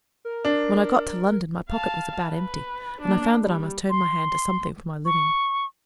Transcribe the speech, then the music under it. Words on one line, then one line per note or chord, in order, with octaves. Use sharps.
When I got to London my pocket was about empty, and I found that I must turn my hand to something for my living.
A#4
D4
F5 A5
B4
A#3 D4
G3
C6
C#6